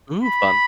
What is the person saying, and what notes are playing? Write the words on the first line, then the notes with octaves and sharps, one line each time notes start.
Ooh, fun.
B5